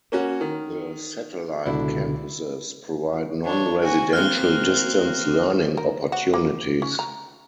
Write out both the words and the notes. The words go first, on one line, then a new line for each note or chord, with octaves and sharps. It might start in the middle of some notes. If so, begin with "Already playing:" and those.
The satellite campuses provide non-residential distance learning opportunities.
A#3 C#4 F#4
D#3
C#2 B2 D3 D4 E4
D4 C#5
F#4 G#5
A#3 C4 F6 F#6 G7
A#4
F#4
A#3
C#4
A#5